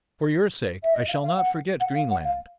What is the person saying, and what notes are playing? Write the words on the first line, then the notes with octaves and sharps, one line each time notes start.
"For your sake I shall not forget Greenland."
E5
D#5
F5
F5
F#5
F#5
F5
F#5
F5